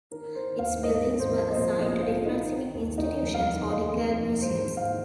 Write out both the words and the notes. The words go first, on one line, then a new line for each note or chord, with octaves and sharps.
Its buildings were assigned to different civic institutions or declared museums.
D#3 A#4
D#3 C5
D#2 F5
G#2 D#5
G#1
C5
F3
D#5
A#2 C5
A#1 D#5
F3 F4
D#3 D#4
D#3
D#2
D#2 D#4
F1
F5
D#3
D#2 D#5
F1
D#3
G#2 C5
G#1
F5
D#3